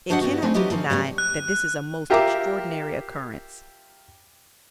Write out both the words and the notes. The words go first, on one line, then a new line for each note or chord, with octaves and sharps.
It cannot be denied that this is a most extraordinary occurrence.
D4 F#4 C5 D#5 E5 F#5
G2 G3 B3 F#4
A3 C4 D#4 E4 B4 G#5
F#3 E4 F4 G4 B4 D#5
F3 A#3 C4 C#4
F#3 G3 A#3 B3 C#4
F#6
F4 G4 A#4 E5 A#5 D6